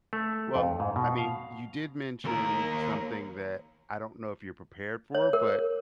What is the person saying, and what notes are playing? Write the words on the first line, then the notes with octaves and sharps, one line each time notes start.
Well, I mean, you did mention something that I don't know if you're prepared for, but
A3
F2
G#2
B2
F5
D#2 A#4
C#5
A#4